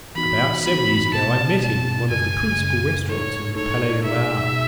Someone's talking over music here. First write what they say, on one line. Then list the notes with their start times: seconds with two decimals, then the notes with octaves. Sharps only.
About seven years ago, I met him in one of the principal restaurants in the Palais Royale.
0.15 E3 B3 D#4 F#4 B5
0.65 E3 B3 D#4 F#4 B5
1.13 B2 G#3 B3 A5
1.61 B2 G#3 B3 A5
2.10 F#2 C#3 G#3 G#5
2.59 F#2 C#3 G#3
3.07 A2 G#3 D#4 A4 C#5
3.55 A2 G#3 D#4 A4 C#5
4.04 B2 G#3 D#4 G#4 E5
4.52 B2